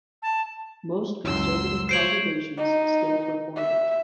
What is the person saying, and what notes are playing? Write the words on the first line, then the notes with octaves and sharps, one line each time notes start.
Most Conservative congregations still perform it.
A5
C#2 F#2 C6 E6
C5 C#5 C7 D7 F#7
D#4
E5